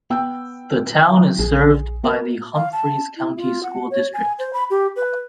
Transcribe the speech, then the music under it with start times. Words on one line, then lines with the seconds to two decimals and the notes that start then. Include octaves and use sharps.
The town is served by the Humphreys County School District.
0.10 B3 G5 E6
1.39 A#1 G#4
2.03 B3 A#4
2.55 F5
2.73 A5
3.17 E4
3.37 F4
3.63 F#5
3.91 C#5
4.14 G#5
4.39 C5
4.53 B5
4.70 G4
4.96 B4